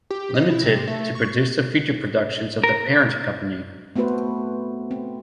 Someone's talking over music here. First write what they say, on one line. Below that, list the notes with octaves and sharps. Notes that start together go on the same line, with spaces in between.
Limited, to produce the feature productions of the parent company.
G4
D#5
E4
C3
A3
C#6
A#4
A3 B3 C4 F#4 B4 C5
C4